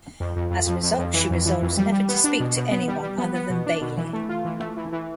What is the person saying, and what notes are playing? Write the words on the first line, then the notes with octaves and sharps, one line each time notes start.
As a result, she resolves never to speak to anyone other than Bailey.
F2
F2
F2
F2
F2
F2
E3
F2
E3
F2
G3
G3
B3
D4
B2
B2
B3
G3
G3
B3
B3
B2
D4
B2
E3
A3
F4
E3
A3
E3
E3